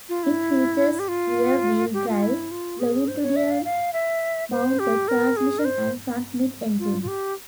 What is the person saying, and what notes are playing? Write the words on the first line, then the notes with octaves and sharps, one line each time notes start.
It features rear wheel drive, longitudinal-mounted transmission and front-mid engine.
F4
E4
G4
F4
G4
F4
E4
F4
G#4
C5
C#5
E5
F5
F5
E5
C5
G4
A#4
G#4
A#4
C5
F4
F4
G4